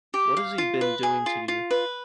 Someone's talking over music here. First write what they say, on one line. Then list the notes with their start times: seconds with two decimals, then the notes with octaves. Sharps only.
What has he been doing to you?
0.14 G4
0.37 F5
0.58 F4
0.81 B4
1.03 G#4
1.26 F4
1.48 F4
1.71 B4